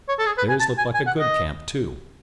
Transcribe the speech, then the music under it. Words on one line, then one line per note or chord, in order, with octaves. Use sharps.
Theirs looked like a good camp, too.
C#5
A4
G#4
B4
G#5
A5
G#5
G#5
F#5
D#5